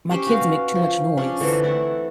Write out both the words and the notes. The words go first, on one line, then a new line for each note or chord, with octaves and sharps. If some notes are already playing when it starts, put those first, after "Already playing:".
my kids make too much noise,
C#4 G4 C5 G5
F#4 B4 F5
F3
C#4 D4 G#4
D3 E3 C4 A4
A3 E4 F#5